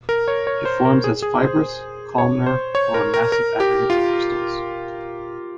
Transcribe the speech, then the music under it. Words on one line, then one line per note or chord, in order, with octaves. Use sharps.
It forms as fibrous, columnar or massive aggregates of crystals.
A#4
C#5
C#5
C5
A#4
G#4
G#4
C5
C#5
C5
C#5
A#4
A#4
A#4
G4
F4